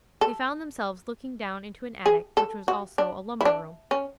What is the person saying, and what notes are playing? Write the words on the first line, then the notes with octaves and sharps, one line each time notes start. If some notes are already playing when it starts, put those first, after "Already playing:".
They found themselves looking down into an attic, which was also a lumber-room.
A4
G#4
A4
F#4
D4
E4
D4
C#4